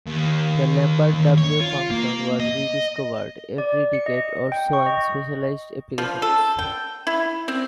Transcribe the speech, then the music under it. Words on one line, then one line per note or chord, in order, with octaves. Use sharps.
The Lambert W function was "re-discovered" every decade or so in specialized applications.
D#2
D#2
C#5
F4
A#3
D#5
D5
C#7
D#5
G5
C#6
D#5
F3
A4
G5
E4
C4